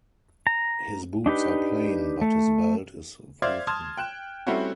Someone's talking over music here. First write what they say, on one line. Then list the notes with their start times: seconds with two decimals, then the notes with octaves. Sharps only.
His boots are plain, but his belt is woven.
0.47 A#5
1.26 D4 D#4 G4 B4
2.21 A3
3.42 C5 D5 E5 F5 F6 G#6
3.67 A5 C6 D#6 F6 G#6
3.97 G5 F#6 E7
4.47 G3 A3 C4 C#4 E4 F#4